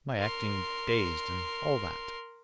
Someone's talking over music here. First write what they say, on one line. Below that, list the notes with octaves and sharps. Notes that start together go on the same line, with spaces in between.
"My acting dazed and all that?"
A#4 C6